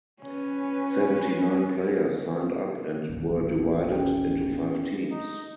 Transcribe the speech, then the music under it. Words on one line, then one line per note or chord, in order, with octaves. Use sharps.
Seventy-nine players signed up and were divided into five teams.
C#4 B4
D#1 A1
C#4 G#4 G5
D#4